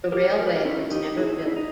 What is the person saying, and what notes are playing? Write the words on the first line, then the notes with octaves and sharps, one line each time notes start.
The railway was never built.
G4 A#4
A#4
B4
G4 A#4
C#4 E4
D#4 G4
E4 G#4
E4
D#4